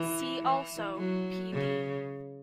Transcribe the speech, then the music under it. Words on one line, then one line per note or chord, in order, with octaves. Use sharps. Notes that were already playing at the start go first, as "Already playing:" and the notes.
See also Pd.
Already playing: E3
E3
F#3
C#3